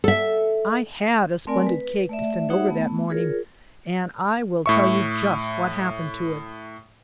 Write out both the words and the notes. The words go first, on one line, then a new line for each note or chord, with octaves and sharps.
I had a splendid cake to send over that morning, and I will tell you just what happened to it.
A4 E5
A3 C4 A#4 D5 G#5
B4
A3 D5 E5
D#4 F#4 G#4 C#5 E5 F#5
A3 B3
F4 G#4 A#4 C#5
A2 E5 C#6